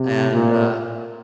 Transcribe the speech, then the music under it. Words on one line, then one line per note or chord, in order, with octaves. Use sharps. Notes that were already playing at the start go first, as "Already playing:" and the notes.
And, uh
Already playing: C3
A#2